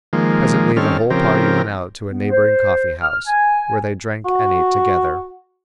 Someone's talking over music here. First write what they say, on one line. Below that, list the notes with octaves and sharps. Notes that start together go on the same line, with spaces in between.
Presently the whole party went out to a neighboring coffee-house, where they drank and ate together.
D#3 F3 G#3 A#3
D#3 G3 C4 C#4 A4 F6
C#3 F3 C4 G4 A#4
B3
C5
F6
G#5
F#4